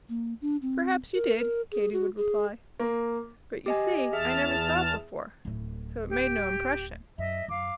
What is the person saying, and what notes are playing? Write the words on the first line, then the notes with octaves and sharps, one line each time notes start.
"Perhaps you did," Katy would reply, "but you see I never saw it before, so it made no impression."
A#3
D4
C4
A#4
A#4
G#4
F#4
G#4
A#3
G4 D#5 G#5
E2 G#4 E5 A5 F6
D1 A2
G4
F#2 D#5 E5
F#2 F5 D6